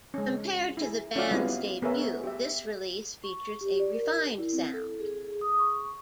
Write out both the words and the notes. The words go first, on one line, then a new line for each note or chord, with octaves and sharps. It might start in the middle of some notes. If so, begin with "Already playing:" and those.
Compared to the bands' debut, this release features a refined sound.
G#3 C#4
E4 G#4
C#4 F4 F#4 D5 F5
G3 B3 C4 E4 F4
B3 G#4 A#4 C#5 E5
G4 E5
C#6
G4
D5
A#4
E4
C4
A4
G#4
D#6
C#6